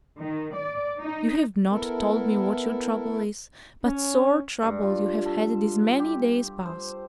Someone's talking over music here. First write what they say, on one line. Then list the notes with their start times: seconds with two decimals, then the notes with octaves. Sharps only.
You have not told me what your trouble is; but sore trouble you have had these many days past.'
0.21 D#3
0.55 D5
0.99 D#4
1.70 B3 E4 A4 A#4
3.84 C#4
4.62 G2
4.83 F4
5.26 A4
5.99 G4
6.66 C5